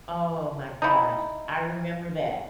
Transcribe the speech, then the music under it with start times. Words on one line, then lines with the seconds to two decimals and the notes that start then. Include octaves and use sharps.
Oh my gosh. I remember that.
0.82 D#4 E4